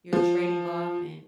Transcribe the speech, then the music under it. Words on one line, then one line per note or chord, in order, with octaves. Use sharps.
you're trading off and
F3